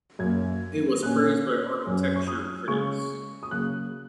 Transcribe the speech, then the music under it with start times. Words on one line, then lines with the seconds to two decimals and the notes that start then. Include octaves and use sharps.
It was praised by architecture critics.
0.19 F#2 F#3 A#3 G#6
1.02 A#2 A#3 C#4 F#6
1.86 F#2 F#3 C#4
2.16 C#6
2.28 D#6
2.68 C#3 G#3 C#4 C#6
3.43 D#6
3.51 C#3 F#3 A#3 F#6